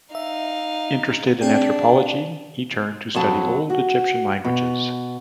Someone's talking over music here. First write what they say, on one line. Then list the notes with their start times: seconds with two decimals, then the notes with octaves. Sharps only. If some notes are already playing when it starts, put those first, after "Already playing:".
Interested in anthropology, he turned to study Old Egyptian languages.
0.15 D#4 E5 F5
1.41 C4 D4 G#4 G5
3.15 F2 F#3 A5
3.70 F#4
4.44 B2